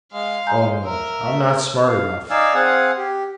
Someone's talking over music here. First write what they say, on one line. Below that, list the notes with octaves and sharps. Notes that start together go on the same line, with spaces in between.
"Oh, no, I 'm not smart enough."
G#3 F5
G#3 G#5 A#5 G6
A#4 E5
A3 E5
F5
D#4 D5 F5 G#5 E6
C4 G#4 F5 F#5 G#5
G4